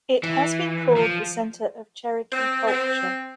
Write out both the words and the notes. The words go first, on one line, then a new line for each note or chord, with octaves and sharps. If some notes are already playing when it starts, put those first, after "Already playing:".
It has been called the center of Cherokee culture.
E3
F3
C4
C4